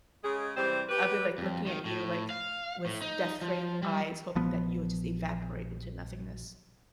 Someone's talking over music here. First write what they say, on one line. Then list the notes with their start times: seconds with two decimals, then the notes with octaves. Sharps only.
I be, like, looking at you, like, with death wraith eyes, hoping that you would just evaporate into nothingness.
0.24 C#3 G#3 G#4
0.56 C3 E3 G3 C4 G4 C5
0.89 G4 B4
1.38 F2
1.67 D#3
1.85 A2
2.30 F5
2.86 A2
3.02 D#4
3.42 F3
3.83 G3
4.35 A#1 F3 B3